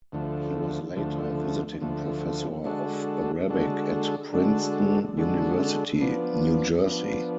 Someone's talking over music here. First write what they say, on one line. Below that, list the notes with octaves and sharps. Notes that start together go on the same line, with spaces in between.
He was later Visiting Professor of Arabic at Princeton University, New Jersey.
D2 D3 F3 A3
D2 D3 F3 A3
D2 D3 F3 A3
D3 G#3 D4 F#4 A4
D3 G#3 D4 F#4 A4
D3 G#3 D4 F#4 A4
D3 G#3 D4 F#4 A4
F3 B3 D4
F3 B3 D4